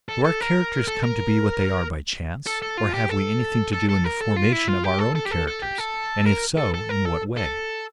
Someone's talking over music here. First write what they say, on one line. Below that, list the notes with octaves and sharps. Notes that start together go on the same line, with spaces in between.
Do our characters come to be what they are by chance, or have we anything to do in the formation of our own characters, and if so, in what way?
A4
A4
A#4
A4
A#4
A4
A4
F4
G4
A4
A4
A4
A#4
A4
F4
E4
F4
G4
A4
A4
G4
A4
A4
G4
A4
A#4
A4
A4
A#4
A4
A4